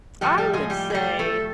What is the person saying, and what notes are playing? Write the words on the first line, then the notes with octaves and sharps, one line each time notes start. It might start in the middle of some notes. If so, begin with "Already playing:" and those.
I would say,
A2 F3 G3 A3 G4
G3 G4
G#3 G#4
G3 G4
G#4
G3 G4
A3 A4